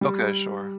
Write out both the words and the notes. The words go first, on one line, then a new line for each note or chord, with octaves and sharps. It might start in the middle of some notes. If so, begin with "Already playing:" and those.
Okay, sure.
G3